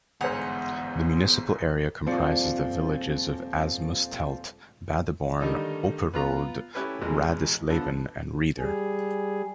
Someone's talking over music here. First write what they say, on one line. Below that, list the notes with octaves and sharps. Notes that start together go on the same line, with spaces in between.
The municipal area comprises the villages of Asmusstedt, Badeborn, Opperode, Radisleben, and Rieder.
G1 E2 G#2 G#4 C5 F#5 F7
D#1 F3 C4 F4 D5 C#7
D3 D#3 G3 A3 D#4
B3 F4 A#5
A3 C#4 E4 G4 B4
A1 B2 E3 G#3
D3 F3 B3 A4
G3 G#4